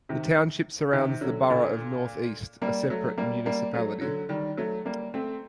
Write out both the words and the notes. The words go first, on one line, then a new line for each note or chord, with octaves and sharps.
The township surrounds the borough of North East, a separate municipality.
C3 D#3
C3 D#3
D3 F#3
A#2 D3
G3 A#3
F#3 A3
G3 A#3
G3 A#3
F#3 A3
D3 F#3
D#3 G3
F#3 A3
G3 A#3
A3 C4